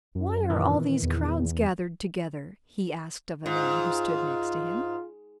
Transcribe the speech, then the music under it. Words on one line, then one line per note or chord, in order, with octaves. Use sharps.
'Why are all these crowds gathered together?' he asked of a man who stood next him.
F#2
A#2 D#3 E3
E2
G#2 F4